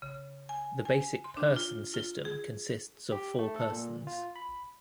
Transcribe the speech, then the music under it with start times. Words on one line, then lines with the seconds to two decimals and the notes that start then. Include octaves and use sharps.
The basic person system consists of four persons.
0.02 C#3
0.49 G#5
0.85 G#5
1.24 C6
1.37 D4
1.56 F4
1.94 F4
2.25 G#4
3.12 G4
3.39 A3
3.56 A4
3.72 A#2
4.07 F4
4.36 B5